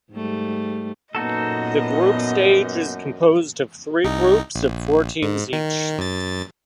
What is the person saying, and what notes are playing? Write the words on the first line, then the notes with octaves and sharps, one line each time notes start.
The group stage is composed of three groups of four teams each.
G#2 G3 A3
F#2 A#2 B3 D#4 F#4 A4 D#5
C2 D#4
A#1
G#2
D#3
F#2 A6